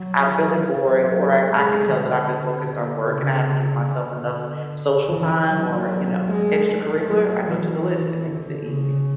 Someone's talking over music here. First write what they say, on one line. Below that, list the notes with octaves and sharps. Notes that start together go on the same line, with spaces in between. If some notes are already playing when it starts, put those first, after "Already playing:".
I'm feeling bored, or I could tell that I've been focused on work and I haven't given myself enough social time or, you know, extracurricular, I go to the list. It makes it easy.
Already playing: F#3
F#3
G#3
D3
C#3
D3
E3
F#3
G#3
A3
F#3
E3
D3
C#3